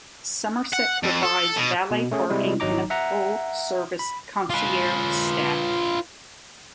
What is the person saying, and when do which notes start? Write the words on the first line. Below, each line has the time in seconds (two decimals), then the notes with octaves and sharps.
Somerset provides valet parking and a full-service concierge staff.
0.73 F#5
1.03 F2
1.23 A4
1.58 B2
1.91 B2
2.12 A3 C#4 G#4
2.30 C3 G3 G#3 E4
2.60 G#1 F#3 D#4 A#5 D6
2.90 E5 F#5 A#5
3.99 B5
4.50 F4 B4